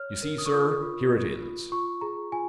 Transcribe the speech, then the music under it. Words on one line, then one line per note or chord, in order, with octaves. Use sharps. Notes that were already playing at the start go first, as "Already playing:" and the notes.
You see, sir, here it is.
Already playing: C#5 F6
A#4
D#6
C#6
F4 D#6
F4
F4
F4
F4 C#6
G#4 A#5
F4 G#5